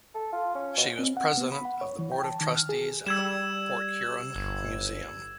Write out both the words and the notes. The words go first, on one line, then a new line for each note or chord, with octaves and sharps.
She was president of the board of trustees at the Port Huron Museum.
A4
F4
C#4
B2
C4
F#5
B3
B5
F#5
C#5
E3
G5
A5
D#3
F6
G#4
G3 E6 G#6 E7
G1